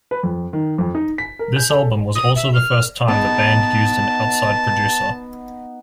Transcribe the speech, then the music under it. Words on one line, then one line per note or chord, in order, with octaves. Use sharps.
This album was also the first time the band used an outside producer.
B4
F2
D#3
F2
D#4
B6
A#4
G6
A4
D#6
E5
F6
B3 D#4 A5